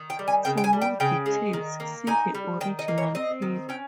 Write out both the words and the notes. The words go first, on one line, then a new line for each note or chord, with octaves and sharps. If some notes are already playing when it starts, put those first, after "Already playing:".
For more details see the original paper.
Already playing: D#3
G5
G3
G#5
C#3 G5
G5
G#5
G3
G5
C#3 G5
G#3
D#3
A#3
D#4 G#5
G3
D#3 G5
D#5
A#3
C#5
C4 D#5
D#3
C#4 G5